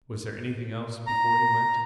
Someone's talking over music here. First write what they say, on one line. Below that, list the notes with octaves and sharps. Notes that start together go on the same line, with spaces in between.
Was there anything else before he went?
A#5